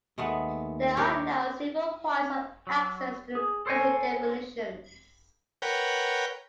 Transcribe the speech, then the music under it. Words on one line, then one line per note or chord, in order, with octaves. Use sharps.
There are now several points of access to the basic definitions.
D#2 G#3 A3 B3
G4 A#4 C#5
F#3
G#4
A4 C5 C#5 G5 G#5
A#4 B4 C#5 F#5 G5